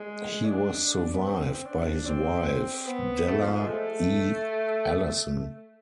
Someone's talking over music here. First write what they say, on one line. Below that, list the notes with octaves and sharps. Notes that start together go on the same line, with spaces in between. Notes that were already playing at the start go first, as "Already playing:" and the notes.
He was survived by his wife, Della E. Allison.
Already playing: G#3
D4
B3
C4
D4
C4
C4
B3
A3
F3
G#3
A3